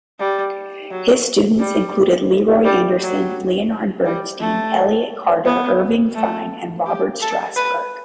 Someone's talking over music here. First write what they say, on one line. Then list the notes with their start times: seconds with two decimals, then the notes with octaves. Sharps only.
His students included Leroy Anderson, Leonard Bernstein, Elliott Carter, Irving Fine, and Robert Strassburg.
0.19 G3
0.91 F#3
1.59 G3
2.65 G3
3.00 F#3
4.05 G3
4.40 A3
5.45 B3
6.15 A3
6.86 G4
7.21 A4
7.56 B4